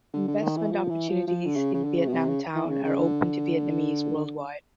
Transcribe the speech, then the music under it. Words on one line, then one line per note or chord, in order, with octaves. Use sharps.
Investment opportunities in Vietnam Town are open to Vietnamese worldwide.
D3
D3
D#3
E3
F3
E3
F3
F3
D3
C#3
C#3
D3
C#3
B2
C3
C#3
E3
C#3
C#3
D3